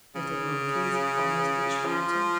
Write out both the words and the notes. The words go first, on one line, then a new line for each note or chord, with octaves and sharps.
Little monkeys common as ditchwater.
C#3
F3